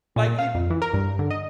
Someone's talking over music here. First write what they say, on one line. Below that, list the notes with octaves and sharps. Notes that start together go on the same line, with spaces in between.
Like, he
A#2
F5
F2
E3
A#4
G2
D3
D#5